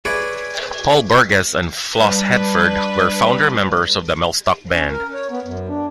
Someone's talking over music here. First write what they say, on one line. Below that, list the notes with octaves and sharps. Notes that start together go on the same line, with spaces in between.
Paul Burgess and Flos Headford were founder-members of the Mellstock Band.
E4 G#4 B4 C#5 D5
G3 D4 B4
C#4
A#4
C#5
B3
F#2
D4